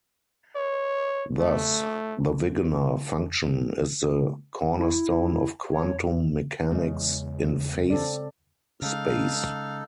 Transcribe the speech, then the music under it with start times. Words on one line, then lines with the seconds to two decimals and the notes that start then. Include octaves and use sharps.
Thus, the Wigner function is the cornerstone of quantum mechanics in phase space.
0.56 C#5
1.39 A3
4.79 E4
5.72 C#5
6.71 E2 C#3 G#3 D#5
7.90 C4 A4 D5
8.82 C#3 G#3 D#4 A4 F5